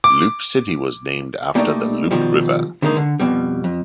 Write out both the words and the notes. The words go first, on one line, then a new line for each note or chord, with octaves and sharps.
Loup City was named after the Loup River.
D6
G3 A3 A#3 D4 D#4 D5
B2 D#3 F3 G3
D3 D#3 G#3 A#3 D#4
D3
F2 B2 G3
F2